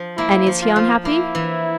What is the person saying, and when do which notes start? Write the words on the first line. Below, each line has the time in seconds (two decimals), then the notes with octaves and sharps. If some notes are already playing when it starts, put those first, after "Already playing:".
And is he unhappy?
Already playing: F3
0.17 A#3 E4
0.47 F3
0.61 F4
0.76 F3
1.05 A#3 E4
1.35 E3